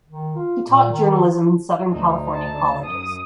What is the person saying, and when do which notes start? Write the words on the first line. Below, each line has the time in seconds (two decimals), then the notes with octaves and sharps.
He taught journalism in Southern California colleges.
0.09 D#3
0.36 F4
0.66 A#2
0.90 D#3
1.33 F3
1.88 D2 D#4
2.35 A5
2.84 F#2 D#6